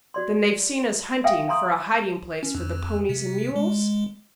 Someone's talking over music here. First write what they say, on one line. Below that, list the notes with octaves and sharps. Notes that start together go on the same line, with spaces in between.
"Then they've seen us hunting for a hiding-place for the ponies and mules?"
F#4 D5 C6
E5 F5 G5 G#5 D#6
F5 G#5 A#5 C6 D#6
C#4
F2
C3
G#3